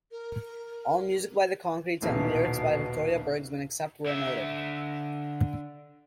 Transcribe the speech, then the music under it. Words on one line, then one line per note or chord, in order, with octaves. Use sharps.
All music by The Concretes and lyrics by Victoria Bergsman, except where noted.
A#4
D#1 B1 B2 E3
D3 E5